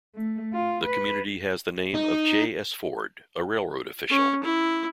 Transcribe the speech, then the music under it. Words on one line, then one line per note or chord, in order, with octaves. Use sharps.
The community has the name of J. S. Ford, a railroad official.
A3
F4
B4
D#4
C#4
E4